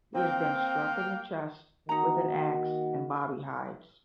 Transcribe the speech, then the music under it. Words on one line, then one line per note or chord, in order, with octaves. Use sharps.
He is then struck in the chest with an axe and Bobby hides.
A#3 C4 F5 G5
D#3 A#3 D#4 F#4 A#5